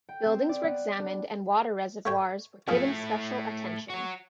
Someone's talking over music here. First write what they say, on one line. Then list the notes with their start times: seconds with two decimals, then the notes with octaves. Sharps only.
Buildings were examined and water reservoirs were given special attention.
0.09 G5
0.26 C4
0.49 D5
0.64 B3
0.99 D4
2.05 A3 C#5 G5
2.68 F2 F3 A3 E4 G#4
3.90 F#4 C#5